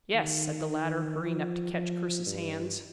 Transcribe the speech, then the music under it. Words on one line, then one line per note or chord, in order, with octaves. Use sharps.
"Yes," said the latter, hurrying up to catch Chris's hand.
D#3
F3
F3
G2